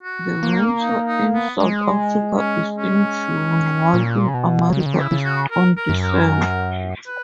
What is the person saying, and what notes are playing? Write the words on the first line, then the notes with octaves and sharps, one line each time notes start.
The winter in South Africa is in June, while in America is on December.
F#4
A#3
D#4
D#4
B3
G#3
C#4
C#4
A#2
C#3
B2
C#3
D#3
C#3
D#3
C#3 E4
C#3
F#4
A#4
A#4
F#2
A#4
B4